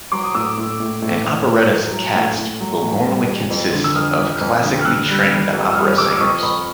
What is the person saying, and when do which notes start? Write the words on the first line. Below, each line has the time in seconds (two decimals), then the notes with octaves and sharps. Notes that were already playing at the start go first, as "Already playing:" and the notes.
An operetta's cast will normally consist of classically trained opera singers.
0.12 F#3 C6 D6
0.24 D#6
0.35 A2 D6 E6
0.57 A2
0.80 A2
1.02 A2
1.25 A2
1.48 A2
1.70 F#3
1.92 F#3
2.15 A2
2.37 A2
2.61 F#3
2.82 A2
3.05 G3
3.27 F2
3.50 F2
3.73 D3
3.84 E6
3.95 F2 D#6 F6
4.18 F2
4.41 F2
4.63 D3
4.81 F6
4.85 D3 E6 F#6
5.08 G3
5.30 G3
5.53 F2
5.71 E6
5.75 G3 D#6 F6
5.98 F2 D6 E6
6.17 E6
6.20 F2 C#6 D#6
6.43 F2 B5 C#6